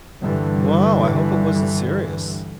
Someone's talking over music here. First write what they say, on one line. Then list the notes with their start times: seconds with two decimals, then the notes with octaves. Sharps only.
Wow, I hope it wasn't serious.
0.21 G2 D3 E3 G3